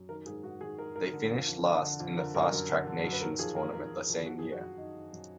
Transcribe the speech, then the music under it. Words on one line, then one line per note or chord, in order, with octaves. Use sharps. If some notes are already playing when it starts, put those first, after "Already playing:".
They finished last in the fast-track nations tournament the same year.
Already playing: F#2
D#3 A#4
G#2 G#4
G#2 F#4
D#3 G#4
D#3 A#4
G#2 A#4
D3
F2
F2
D3
D3
F2
D3 A#4
F#2 A#4
F#2 A#4
D3
D3
F#2
B4
D#3 A#4
F2 G#4
F2 A#4
D#3 A#4
D#3
F2
D#3 F#4
G#4
F#2
F#4
F#2
D#3 D#4
D#3
F#2